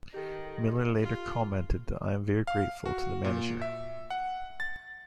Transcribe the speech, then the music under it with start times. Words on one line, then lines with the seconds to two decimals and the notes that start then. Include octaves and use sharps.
Miller later commented that I am very grateful to the manager.
0.14 D#3 G4 A4
1.03 F4
2.47 F5
2.86 F#4
3.24 A#2
3.62 E5
4.10 F#5
4.60 A6